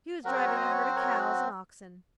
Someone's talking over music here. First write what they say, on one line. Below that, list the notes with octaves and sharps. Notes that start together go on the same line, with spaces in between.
He was driving a herd of cows and oxen.
F#3 C4 F#4 A#4
G#4 C5
A#4 C#5
C5 D#5
C#5
C5
A#4 C#5